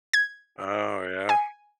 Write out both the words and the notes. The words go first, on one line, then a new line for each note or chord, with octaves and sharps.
Oh, yeah.
G#6
G#5